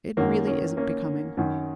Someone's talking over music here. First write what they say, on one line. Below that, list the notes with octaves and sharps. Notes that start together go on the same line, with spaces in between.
"It really isn't becoming."
F#2 D#3 F#3 A#3
A#3 C#4
A#3 C#4
F#2 D#3